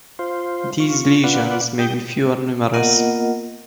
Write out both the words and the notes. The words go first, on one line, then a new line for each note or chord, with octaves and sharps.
These lesions may be few or numerous.
F4 C5
F4 C#6
F4 B4 D5 F#5
G4 G5 D#6 G6
A#3 B3 F4 A#4 D#5 F#5